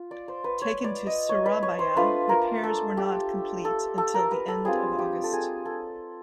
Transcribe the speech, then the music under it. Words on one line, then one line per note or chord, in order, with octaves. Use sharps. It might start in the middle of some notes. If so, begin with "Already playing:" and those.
Taken to Surabaya, repairs were not complete until the end of August.
Already playing: F4
D5
C5
B4
C#5
D5
D#5
C#5
B4
C#5
C5
A3 D4 F4 B4
A#4
A4
G4
A4
A4
A#4
B4
A4
G3 C4 F4 G#4
G4
A4
G#4
A4